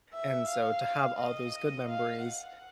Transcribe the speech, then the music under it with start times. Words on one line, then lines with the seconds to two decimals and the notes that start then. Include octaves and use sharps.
And so, to have all those good memories
0.14 E5
0.48 F5
1.18 D#5
1.88 F5
2.23 F#5